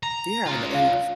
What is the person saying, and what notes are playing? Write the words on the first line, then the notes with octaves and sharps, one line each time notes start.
Yeah, an and
A#5
C#4 F4
F5